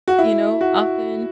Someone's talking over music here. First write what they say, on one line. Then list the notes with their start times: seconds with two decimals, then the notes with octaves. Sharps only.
you know, often,
0.08 F#4
0.19 E4
0.61 F#4